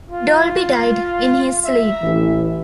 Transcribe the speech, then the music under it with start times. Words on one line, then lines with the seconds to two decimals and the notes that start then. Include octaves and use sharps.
Dolby died in his sleep.
0.10 F4
1.65 E5
2.02 A1 E3